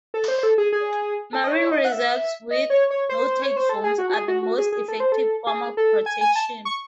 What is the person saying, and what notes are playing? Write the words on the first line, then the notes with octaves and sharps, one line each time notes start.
Marine reserves with "no take zones" are the most effective form of protection.
A4
C5
C5
A4
G#4
G#4
A4
D#5
C#5
D#5
F#5
E5
D#5
C#5
C#5
C5
C#5
C5
A4
G#4
F#4
F#4
G#4
F#4
F#4
G#4
G#4
A4
C5
A4
G#4
A4
G#5
G#5
A5
C#6